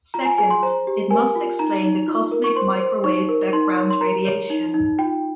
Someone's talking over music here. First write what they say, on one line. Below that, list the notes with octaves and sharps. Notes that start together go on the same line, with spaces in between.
Second, it must explain the cosmic microwave background radiation.
F4 A#5
G#5
G#4 G#5
C6
C5 A#5
G4
A#4 G#5
F4
D#4 A#5
D#4
F4
A#4
C#6
C5 C6
C5
D#4 C#6
A#4
D#4 C6
C#5
C6
A#4 A#5
C#5
D#4
D#4
F4 G5